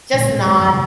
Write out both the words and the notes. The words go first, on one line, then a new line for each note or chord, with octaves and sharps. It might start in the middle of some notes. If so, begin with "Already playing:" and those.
just nod,
D2 A#2 G#3
A#2 G#3 B3 C#4
D#3 G#3
F#2 E3 F3 G3
C3 F#3 G#3 A3